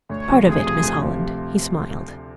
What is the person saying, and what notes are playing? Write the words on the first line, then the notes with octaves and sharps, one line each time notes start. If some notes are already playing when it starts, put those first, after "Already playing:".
"Part of it, Miss Holland," he smiled.
D2 C#5
C3 F3
D2 G#4
C3 F3
D2
C3 F3